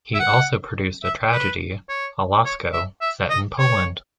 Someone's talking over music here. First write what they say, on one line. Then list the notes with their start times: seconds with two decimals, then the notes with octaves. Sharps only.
He also produced a tragedy, "Alasco", set in Poland.
0.14 E5
0.19 F#5
1.03 E5
1.33 B4
1.89 C#5
2.45 C#5
2.73 E5
3.01 E5
3.30 D#5
3.59 C#5